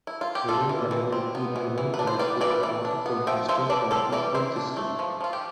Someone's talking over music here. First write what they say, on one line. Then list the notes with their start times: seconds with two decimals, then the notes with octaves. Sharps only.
Lynn Elementary and Lynn High School are part of the Winston County School System.
0.07 E4
0.21 F4
0.35 G4
0.48 G3 F4 A4
0.69 E3
0.91 E3
1.12 C4
1.35 B3
1.56 E3
1.78 E3
1.94 B4
1.99 D4
2.07 C5
2.19 G3 B4 D5
2.41 E3 B4 D5
2.63 E3
2.85 D4
3.06 B3
3.27 F3 E5 G5
3.49 F3 C5 E5
3.70 D4 B4 D5
3.91 G3 A4 C5
4.12 E3 B4 D5
4.34 E3 C5 E5
4.56 D4
4.77 A3
4.99 F3
5.21 F3 F4
5.33 G4